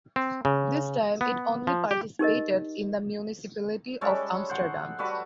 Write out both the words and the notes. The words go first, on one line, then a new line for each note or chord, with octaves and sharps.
This time it only participated in the municipality of Amsterdam.
C4
C#3
B3
F3
G4
D#4 G4 A#4 D#5
G3 G#3 C#4 A4
C5 F#5
G3 F#4 A4 B4